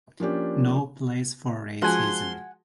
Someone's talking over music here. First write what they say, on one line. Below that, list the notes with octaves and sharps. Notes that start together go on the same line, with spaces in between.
No place for racism.
F3 A#3 C#4 D4 G4
F3 G#3 F#4 F#5 G#5 C6